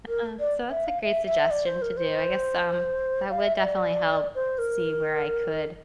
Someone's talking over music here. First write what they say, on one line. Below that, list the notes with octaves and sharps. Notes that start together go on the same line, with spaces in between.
Uh, so that's a great suggestion to do, I guess, um, that would definitely help see where I could
A#4
D5
E5
F5
E5
E5
D5
C5
A#4
C5
F5
E5
E5
D5
C5
A#4